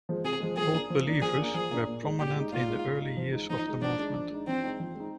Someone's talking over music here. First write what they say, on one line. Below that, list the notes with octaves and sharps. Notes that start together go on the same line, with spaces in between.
Old Believers were prominent in the early years of the movement.
F3 G#3
C3 G#4
F3 G#3
F3 G#4
A#3 D4
F3
A#3 D4
F3 G#4
A#3 D4
F3 G#4
A#3 D4
A#2
G#3 D#4
A#2 G4
G#3 D#4
A#2 F4
G#3 D#4
A#2
G#3 D#4
F3
G#3 D#4
F3 D#4
G#3 D#4
F3 D4
G#3 D#4
F3
G#3 D#4
F3 C4
G#3 D#4
F3
G#3 D#4